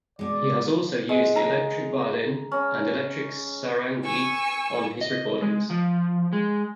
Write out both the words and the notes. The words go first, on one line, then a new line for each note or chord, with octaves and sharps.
He has also used the electric violin and electric sarangi on his recordings.
B2 G#3 D5
G#3
A#5
C#4
G#5 C#6 E6
D#5
G#3
F3
G#3